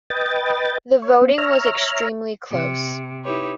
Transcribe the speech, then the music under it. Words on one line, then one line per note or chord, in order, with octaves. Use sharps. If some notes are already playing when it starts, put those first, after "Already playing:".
The voting was extremely close.
B4 D#5 G5 A6
C#5
B3 C4
C#5 E5 A#5 F6
C3
D#4 E4 G4 B4 C#5